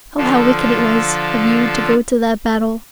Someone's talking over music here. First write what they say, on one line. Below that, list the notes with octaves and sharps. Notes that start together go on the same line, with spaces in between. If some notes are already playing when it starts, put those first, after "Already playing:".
Oh! how wicked it was of you to go to that battle!
D3 F3 F4 A4